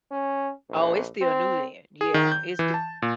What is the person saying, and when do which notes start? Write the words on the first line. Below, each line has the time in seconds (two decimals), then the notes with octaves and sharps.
Oh, it's still new then, yeah, it's d
0.11 C#4
0.69 A#1
1.21 C4
2.01 G#4
2.14 D#3
2.32 G6
2.59 E3
2.74 A5
3.02 A#2